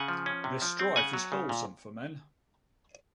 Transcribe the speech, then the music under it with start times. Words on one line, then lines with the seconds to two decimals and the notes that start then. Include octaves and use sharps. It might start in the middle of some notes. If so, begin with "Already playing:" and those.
This Strife is wholesome for men.
Already playing: C#3 F#5 G#5
0.08 F3
0.26 C#4
0.44 C3
0.62 F3
0.79 C4
0.96 C#3 F#5 G#5
1.13 F#3
1.32 C#3
1.49 A#2